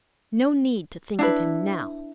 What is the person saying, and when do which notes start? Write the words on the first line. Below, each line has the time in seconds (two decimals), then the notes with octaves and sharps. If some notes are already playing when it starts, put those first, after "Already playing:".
No need to think of him now.
1.19 D4 E4 B4